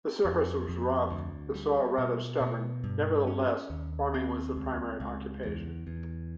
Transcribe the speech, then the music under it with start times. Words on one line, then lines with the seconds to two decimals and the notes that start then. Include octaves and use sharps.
The surface was rough, the soil rather stubborn; nevertheless, farming was the primary occupation.
0.25 F2
0.68 F2
1.11 D2
1.54 G3
1.98 B2
2.40 B2
2.84 G2
3.27 C#4
3.70 D#2
4.14 C4
4.56 C#2
5.00 C#2
5.43 E2
5.87 E2